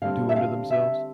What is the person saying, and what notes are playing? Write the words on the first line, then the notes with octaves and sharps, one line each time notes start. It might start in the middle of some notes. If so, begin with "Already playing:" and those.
doing to themselves.
D3 G3 C4 F5
E5
F5
E5